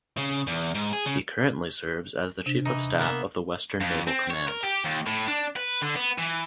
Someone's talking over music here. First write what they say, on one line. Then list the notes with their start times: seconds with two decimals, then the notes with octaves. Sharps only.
He currently serves as the Chief of Staff of the Western Naval Command.
0.17 C#3
0.47 E2
0.75 G#2
0.93 G#4
1.06 C#3
2.46 C3 D4
2.65 E3 D#4
2.99 A#3 B3 E5
3.81 F2
4.07 C4
4.30 C#5
4.48 A#4
4.63 G4
4.85 D#2
5.07 A2
5.28 D4
5.56 B4
5.82 D3
5.96 B3
6.18 E3